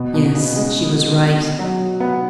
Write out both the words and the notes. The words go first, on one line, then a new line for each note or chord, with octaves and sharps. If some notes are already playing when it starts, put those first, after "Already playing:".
Yes, she was right.
Already playing: B2
B2
C#3
G#3
F#3
B3